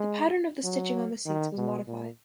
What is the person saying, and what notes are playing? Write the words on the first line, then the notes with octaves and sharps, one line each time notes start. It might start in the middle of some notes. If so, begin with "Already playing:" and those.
The pattern of the stitching on the seats was modified.
Already playing: G#3
F#3
D#3
B2
A#2